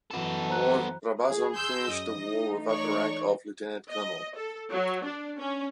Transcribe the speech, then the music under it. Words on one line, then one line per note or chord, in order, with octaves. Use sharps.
Moore-Brabazon finished the war with the rank of Lieutenant-Colonel.
F#2 E3 B3 A4
C5 A#5 F#6
G#4
C6 E6 G6
F#2 D#5
E3 A3 D#4
C#5 D5 C#6
D#5
A4
F#3
D4
C#4